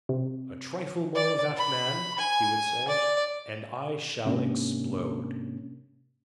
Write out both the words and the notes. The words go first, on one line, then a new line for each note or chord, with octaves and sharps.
"A trifle more of that man," he would say, "and I shall explode."
C3
D5
B5
G#5
D5
G#2 C3 A#3 C#4 D4